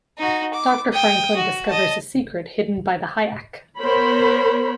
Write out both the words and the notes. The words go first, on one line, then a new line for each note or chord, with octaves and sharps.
Doctor Franklin discovers a secret hidden by the Hyach.
D#4 F#4
D6
G5 D#6
F#4
D#5 A5
B3 A#4 C5 C#5 B5